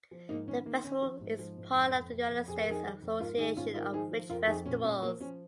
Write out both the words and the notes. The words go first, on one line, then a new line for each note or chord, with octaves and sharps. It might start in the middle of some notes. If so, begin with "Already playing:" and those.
The festival is part of the United States Association of Fringe Festivals.
F3
G#2 A#3 D#4
D#3 C#4
D#3 A#3
D#3 C#4
F3
G#2
F3
G#2
F2
F2
F2
F2
F2 G#4
A#4
F2 D#4 G#4
D#3
F2
G#2 F4 A#4
D#3 D#4 G#4
G#2 C#4 F4
D#3 F4 A#4
F3 D#4 G#4
F3
F2 F4 A#4
F2 D#4 G#4
A#2 C#4
A#2 C#4
F3 A#3
F3 C#4